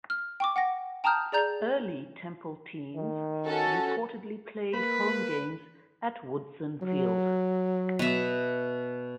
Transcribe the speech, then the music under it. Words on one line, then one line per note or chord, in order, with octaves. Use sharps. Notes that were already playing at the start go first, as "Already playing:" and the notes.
Early Temple teams reportedly played home games at Woodson Field.
F6
G5 C#6 D6
F#5 G5 A#6
G5 A5 A#5 D#6 F6 G6
G#4 D5 A#5 G6 F7
D#3
C#4 F#4 A4
A#3 B4 B5
F#3
B2 E5